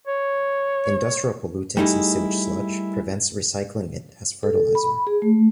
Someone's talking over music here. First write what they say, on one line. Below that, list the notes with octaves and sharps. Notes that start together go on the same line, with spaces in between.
Industrial pollutants in sewage sludge prevents recycling it as fertilizer.
C#5
G3 A3 D#4 E4 G#4
A4
B5
G#4
A3